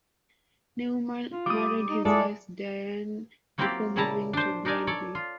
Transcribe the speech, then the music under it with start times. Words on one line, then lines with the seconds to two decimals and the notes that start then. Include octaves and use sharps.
Neumann married his wife Diane before moving to Granby.
1.32 F4
1.46 G3 D6 D#6
1.90 D#4
2.05 G#3 E4 F4 A4 D5
3.58 F#3 A#3 C4 E4 F4 G4
3.96 A#2 C#3 G3 E4 A5 A#5
4.33 D4 C5
4.65 D4 D#4 A#4 D5 G#5
4.87 A4 C#5 D5
5.15 F4